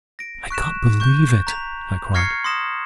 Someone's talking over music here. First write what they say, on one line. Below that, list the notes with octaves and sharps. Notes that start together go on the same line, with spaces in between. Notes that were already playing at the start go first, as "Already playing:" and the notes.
"I can't believe it," I cried.
A#6 D7
C#6 F#6 B6 E7
C#6 G6
A#5 B6 F7
C#6 F6 G#6 A#6 C7 C#7
C6 D#6 A#6 E7